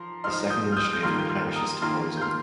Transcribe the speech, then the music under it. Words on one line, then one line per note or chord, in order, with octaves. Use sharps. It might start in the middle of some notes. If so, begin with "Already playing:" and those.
The second industry of the parish is tourism.
Already playing: F3 A#5 C6
F3 D#4 C6 F6
D#6 G6
F6
D#6 G6
G6
D#3 G3 A#3 F4 C6 F6
G6
C6 F6
A#5 D#6
D#3 A#3 F4 C6 F6
G6
C6 F6